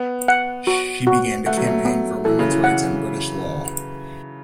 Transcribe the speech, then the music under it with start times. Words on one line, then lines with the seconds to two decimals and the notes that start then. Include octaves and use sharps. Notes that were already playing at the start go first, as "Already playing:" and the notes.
She began to campaign for women's rights in British law.
Already playing: B3
0.28 F#5
0.67 F#4
1.07 F#4
1.46 A3 F#5
1.57 F#3
1.67 A3
1.85 B3
2.25 E3 A4
2.39 C#3
2.51 E3
2.64 F#5